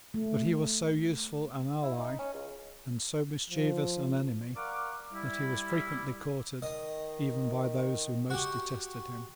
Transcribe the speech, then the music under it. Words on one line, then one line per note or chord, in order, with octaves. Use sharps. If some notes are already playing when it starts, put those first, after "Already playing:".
But he was so useful an ally, and so mischievous an enemy that he was frequently courted even by those who most detested him.
A3
E4
D#4
C#4
C#2
F3
A#4 D5 F5 F#5 C#6 D6
G3 E4
D#3 D#5
F#4 G4